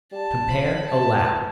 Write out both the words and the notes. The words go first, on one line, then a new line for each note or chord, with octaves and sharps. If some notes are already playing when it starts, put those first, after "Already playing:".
Compare ALLOW.
G3 A5
F3 B5
A5
E3